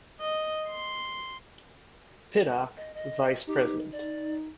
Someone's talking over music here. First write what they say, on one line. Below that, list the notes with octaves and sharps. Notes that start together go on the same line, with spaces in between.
Pittock, vice president.
D#5
C6
D#5
D#5
D#4 G4
D5